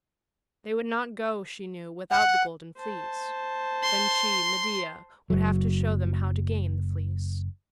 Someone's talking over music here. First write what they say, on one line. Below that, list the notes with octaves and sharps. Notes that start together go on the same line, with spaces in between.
They would not go, she knew, without the Golden Fleece; then she, Medea, would have to show them how to gain the Fleece.
F#5
C5 A5
C6
F#1 F#3